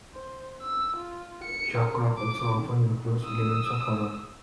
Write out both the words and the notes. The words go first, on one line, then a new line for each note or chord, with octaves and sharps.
Shock rock also often includes elements of horror.
C5
E6
F4
C#7
A#4
D6
D#6 E6